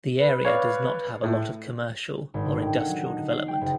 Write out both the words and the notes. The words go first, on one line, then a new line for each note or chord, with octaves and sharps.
The area does not have a lot of commercial or industrial development.
B4
C#5 D5 F5
A2
G#1
D3
G5
F#5
F#3
D#4
C7
G5
F#1